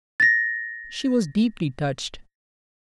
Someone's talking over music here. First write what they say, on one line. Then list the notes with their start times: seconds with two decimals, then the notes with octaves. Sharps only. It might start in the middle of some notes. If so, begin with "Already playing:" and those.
She was deeply touched.
0.20 A6 A#6